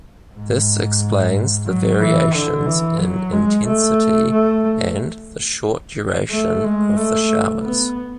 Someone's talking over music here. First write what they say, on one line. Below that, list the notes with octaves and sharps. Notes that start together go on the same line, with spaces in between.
This explains the variations in intensity and the short duration of the showers.
G#2
F#3
E3
D3
E3
F#3
G#3
A3
A3
A3
G#3
A3
B3